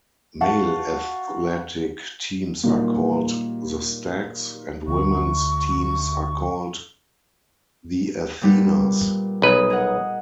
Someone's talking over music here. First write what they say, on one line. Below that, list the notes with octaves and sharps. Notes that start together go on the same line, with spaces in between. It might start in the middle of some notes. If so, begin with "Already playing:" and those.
Male athletic teams are called the Stags, and women's teams are called the Athenas.
F#4 F5 F#5 A5
A#2 D#3 F#3 G3 A#3 D#4
D2 C#6
A#2 G3 B3
B1 G#4 B4 D#5
G#4 A#4 F#5